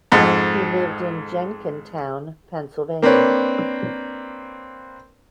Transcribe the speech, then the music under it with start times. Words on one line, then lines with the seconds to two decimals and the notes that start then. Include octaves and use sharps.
He lived in Jenkintown, Pennsylvania.
0.12 F2 G#2
3.02 A#3 C4 D4 B4 C#5